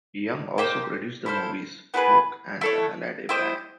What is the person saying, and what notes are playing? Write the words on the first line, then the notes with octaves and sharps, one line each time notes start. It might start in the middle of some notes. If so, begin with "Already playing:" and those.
Young also produced the movies "Huk" and "The Halladay Brand".
A#3 D#4 G4 C5
E4 A4 C5 F5
B3 E4 G#4 B4
E4 A4 C#5
E4 G4 C5 D#5